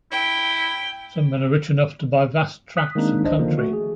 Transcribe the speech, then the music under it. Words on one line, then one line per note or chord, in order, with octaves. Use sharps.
Some men are rich enough to buy vast tracts of country.
E4 G5
D#6 F#6 B6
D#3 G#3 A#3 C4 D4 D#4
G#1 C#2 D4 C5 D#5
D3 D#3 F3 A#3
A3 F#4
G#4